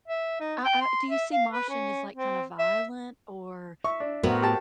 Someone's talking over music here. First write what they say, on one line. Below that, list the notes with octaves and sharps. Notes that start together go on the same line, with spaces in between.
I I Do you see moshing as, like, kinda violent or
E5
D#4
G5
C6
E5
F5
B4
C#4
C4
E5
E5 C#6
D4
A2 B3 F#4 A#4 C5
G4 A5